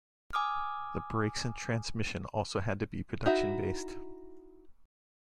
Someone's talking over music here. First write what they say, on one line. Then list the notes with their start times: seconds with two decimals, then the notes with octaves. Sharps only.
The brakes and transmission also had to be production-based.
0.33 G#5 D6 D#6 F6
3.26 D#4 E4 F#4 E5